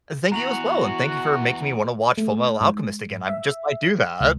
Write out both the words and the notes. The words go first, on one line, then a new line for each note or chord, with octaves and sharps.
Thank you as well and thank you for making me wanna watch Fullmetal Alchemist again, I just might do that.
E2 F#4 A#5 F7 F#7
A3
G#2
E5
C#2